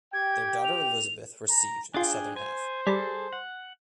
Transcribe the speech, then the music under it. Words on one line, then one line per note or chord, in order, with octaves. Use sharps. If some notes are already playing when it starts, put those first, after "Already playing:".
Their daughter Elizabeth received the southern half.
G4 G5 G#6
F7
A#5
D4 F4 G#4 G5 G#5 A6
C5 G#5
G3 G#4 A4 A5 B5
F#5